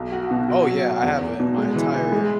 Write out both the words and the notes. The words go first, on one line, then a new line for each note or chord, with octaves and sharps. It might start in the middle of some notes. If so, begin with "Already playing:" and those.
Oh, yeah. I have it my entire
Already playing: B1
F#4
B2
F#4
F#3
F#4
E2
E2
B2
G#3
E3
E3
G#3